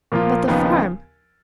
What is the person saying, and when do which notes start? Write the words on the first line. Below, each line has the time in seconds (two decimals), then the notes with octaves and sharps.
"But the farm?"
0.12 A#2 F3 A#3 F4
0.48 D#2 C#3 F3 B3 D#4